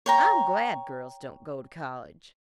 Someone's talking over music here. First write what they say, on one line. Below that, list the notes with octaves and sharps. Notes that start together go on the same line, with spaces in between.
"I'm glad girls don't go to College."
C#5 G5 A#5